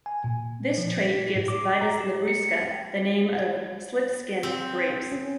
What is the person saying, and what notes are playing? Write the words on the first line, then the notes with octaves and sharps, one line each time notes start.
This trait gives "Vitis labrusca" the name of "slip skin" grapes.
G#5
A#2
F3
B6
A2
D6
A#5
G4
C#7
G5
C4
C#4